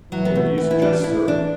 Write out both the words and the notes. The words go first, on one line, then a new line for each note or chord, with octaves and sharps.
"Whom do you suggest, sir?"
E3 F#3
B3
A3
E3 B3
E4
D4
D4
E3 E4
D4